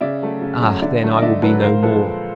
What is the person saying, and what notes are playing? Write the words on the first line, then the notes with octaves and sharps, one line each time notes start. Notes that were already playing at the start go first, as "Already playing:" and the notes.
Ah! then I will be no more!
C#3 D5 E5
F#3 A3
C#3
F#3 A3
D3 D5 E5
F#3 A3
D#5
D3 D5 E5
F#3 A3 A4 B4
A#2 A#4 C5
F3 G#3 A4 B4